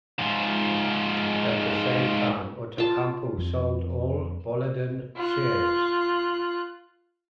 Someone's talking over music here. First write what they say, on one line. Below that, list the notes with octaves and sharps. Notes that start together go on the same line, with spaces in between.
At the same time Outokumpu sold all Boliden shares.
G#2 F3
F4 A5
F2
F4 F#6